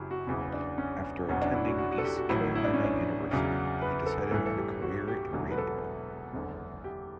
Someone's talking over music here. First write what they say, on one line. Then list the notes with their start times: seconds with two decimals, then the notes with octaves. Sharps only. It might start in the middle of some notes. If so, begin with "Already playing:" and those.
After attending East Carolina University, he decided on a career in radio.
Already playing: F#1 F#2 C#3 E4 F#4 G4
0.11 F#4
0.27 F#1 E2 C#3 E3 E4
0.53 D4
0.78 C#4
1.29 F#1 E2 B2 F#3 C#4
1.42 D4
1.54 E4
1.67 F#4
1.78 F#4
1.91 F#4
1.98 A4
2.04 G4
2.17 F#4
2.29 A1 A2 F#3 E4
2.55 E4
2.64 D4
2.74 C#4
2.84 D4
3.31 E2 C#3 F#3
3.82 B4
4.06 A4
4.31 A1 G2 E3 A4
4.46 A4
4.57 G4
4.82 F#4
5.08 G4
5.33 E1 E2 D3 F#3
5.51 B4
5.58 A4
6.34 F#1 E2 D3
6.84 G4